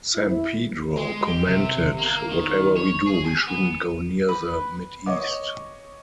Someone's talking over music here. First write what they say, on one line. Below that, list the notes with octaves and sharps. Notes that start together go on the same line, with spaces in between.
Sampedro commented, Whatever we do, we shouldn't go near the Mideast.
E4
G#3
G4
C3
A#3
D#3
C#5
G#4
G#5
B3
B4
C#5 D#5 D6